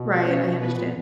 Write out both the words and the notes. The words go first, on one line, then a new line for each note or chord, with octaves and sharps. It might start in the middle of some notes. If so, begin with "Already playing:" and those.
Right. I understand.
Already playing: B2
C#4 C#5
B2 B3 B4
A#2